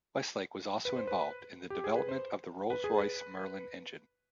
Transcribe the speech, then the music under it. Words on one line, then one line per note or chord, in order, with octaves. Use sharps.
Weslake was also involved in the development of the Rolls-Royce Merlin engine.
B4
C5
B4
G4
G#4
B4
C5
B4
G#4
B4